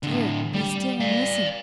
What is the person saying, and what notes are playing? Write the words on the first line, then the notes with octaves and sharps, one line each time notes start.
"Dear, be still, and listen!"
A2 D3
G3
D5 F5